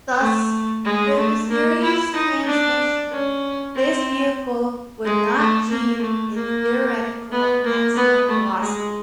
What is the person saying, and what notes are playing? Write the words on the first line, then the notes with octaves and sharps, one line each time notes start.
Thus, with the series transmission, this vehicle would not achieve its theoretical maximum velocity.
A3
G#3
A3
A#3
E4
D#4
D4
C#4
C4
G#3
A3
A#3
A3
A#3
B3
A#3
B3
A3
G#3